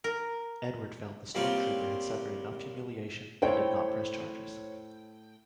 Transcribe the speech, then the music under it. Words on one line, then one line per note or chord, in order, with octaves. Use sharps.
Edward felt the Storm Trooper had suffered enough humiliation and did not press charges.
A#4
G3 A#3 C4 C#4 F4 G4
A2 C5 C#5 G5